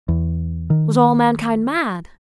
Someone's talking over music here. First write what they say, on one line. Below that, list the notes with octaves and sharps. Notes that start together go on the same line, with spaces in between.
Was all mankind mad!
E2
D#3